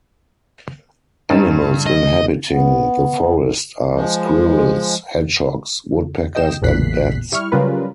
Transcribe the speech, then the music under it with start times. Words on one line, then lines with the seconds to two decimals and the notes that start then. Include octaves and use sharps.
Animals inhabiting the forest are squirrels, hedgehogs, woodpeckers and bats.
1.30 G2 C#4 D#4 A5
1.86 D#5
2.49 B3
3.94 F3 G#3
6.35 D#5 G5 G6 E7
6.62 A1 E2 A#2 F#6 B6 C7
7.32 G3 E4 C#6 F6
7.52 C#3 F#3 G3 F4 A#4 B4